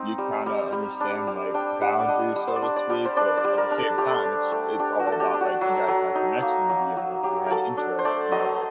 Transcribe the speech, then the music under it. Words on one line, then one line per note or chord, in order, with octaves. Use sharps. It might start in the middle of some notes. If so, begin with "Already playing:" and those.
you kinda understand, like, boundaries, so to speak, but at the same time, it's it's all about, like, you guys had connection to begin with, you had interest together.
Already playing: C4 D#4
G3
G3
G3
D4
G3
D4 G5
G3 F#5
D5
D4 D#5
G3
C5
D5
D4
D5
G3
C5
D4 D5
D5
G3
A#4
D4
A4
A3 G4
D4
A3
D4 G4
F#4
A3
A4
G4
D4
F#4
F#3
F#3
D#4
A#3
F#3
F#3
F#3 G4
F#3 A4 A#4
D4
C5
A3 D5
F#3 D#5